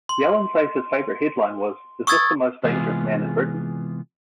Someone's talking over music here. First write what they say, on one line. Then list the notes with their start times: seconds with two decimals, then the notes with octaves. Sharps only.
Yelland says his favourite headline was Is this the most dangerous man in Britain?
0.09 C6
2.07 C#6 D#6 E6 G#6 A6
2.64 C3 E3 G#3 B3 F4 G#4